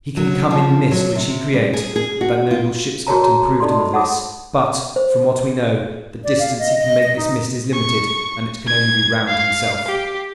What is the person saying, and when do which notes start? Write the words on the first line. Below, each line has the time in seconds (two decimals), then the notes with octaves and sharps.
He can come in mist which he create--that noble ship's captain proved him of this; but, from what we know, the distance he can make this mist is limited, and it can only be round himself.
0.17 F#3
0.51 F3
0.91 F#3
1.15 C3
1.53 G3
1.73 G#4
1.96 G#4
2.21 F#4
2.51 F4
3.07 F#4 G#4 A#4 C#5 A5 A#5
3.23 F#4 C#5 A#5
3.60 D#4 G4 A4 D5 D#5 C6
3.80 B5
3.93 C#5 F#5 A5 D6 D#6
4.96 C5
6.24 D5
6.39 F5
6.59 D#5
6.80 D#5
7.03 D#5
7.17 D#4
7.74 C#6
8.67 G#6
9.27 F5
9.87 G4